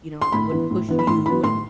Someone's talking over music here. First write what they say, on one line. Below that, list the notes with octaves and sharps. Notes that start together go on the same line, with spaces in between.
you know, "I wouldn't push you and
C6
A2 B5
E3 B3
A2
E3 B3
B5
A2 C6
E3 B3 B5
A2 C6